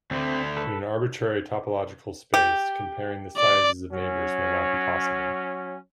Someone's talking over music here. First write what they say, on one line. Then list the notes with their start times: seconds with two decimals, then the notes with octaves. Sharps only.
In an arbitrary topological space, comparing the sizes of neighborhoods may not be possible.
0.11 D2 D3 C4
0.57 A4 B4
2.34 G4
3.37 D5
3.92 F#3 C#4